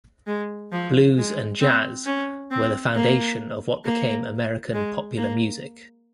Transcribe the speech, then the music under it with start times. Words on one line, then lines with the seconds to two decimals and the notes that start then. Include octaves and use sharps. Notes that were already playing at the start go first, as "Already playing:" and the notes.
Blues and jazz were the foundation of what became American popular music.
0.27 G#3
0.72 F3
1.17 G#3
1.61 C4
2.06 C#4
2.51 C4
2.95 A#3
3.84 A#3
4.73 G#3
5.17 A#3